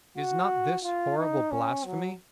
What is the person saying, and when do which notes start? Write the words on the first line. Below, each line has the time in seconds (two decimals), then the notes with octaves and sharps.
Is not this horrible blasphemy?
0.17 F#4
0.83 F4
1.18 D#4
1.51 C#4
1.84 F#3